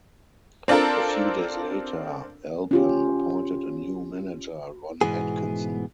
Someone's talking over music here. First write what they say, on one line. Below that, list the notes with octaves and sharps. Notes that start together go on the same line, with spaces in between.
A few days later, Albion appointed a new manager, Ron Atkinson.
C4 D4 F4 A4 A#4
C#4 F4 G4
G#2 B2 E3 B3 G#4